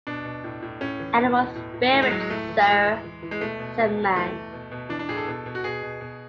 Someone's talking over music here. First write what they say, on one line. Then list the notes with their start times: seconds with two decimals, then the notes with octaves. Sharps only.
"Animal spirits, sir," said Mann.
0.07 B2 D4
0.25 B2
0.44 A2
0.63 A2
0.81 A2 C#4
1.00 E3
1.18 B2 B3
1.37 B2
1.55 A2
1.74 A2
1.92 E3 A3
2.02 G#3
2.11 E3 F#3
2.20 G#3
2.30 A2 A3
2.49 E3
2.67 A2 G#3
2.86 E3
3.04 E3
3.23 E3
3.31 G#3
3.41 B2 A3
3.59 B2
3.79 B2
3.97 B2
4.15 E3 A3
4.34 E3
4.53 B2
4.72 B2
4.89 E3 D4
4.99 D4
5.09 A2 G#4
5.17 A4
5.27 B2
5.46 B2
5.55 F#4
5.64 B2 G#4
5.83 B2
6.01 B2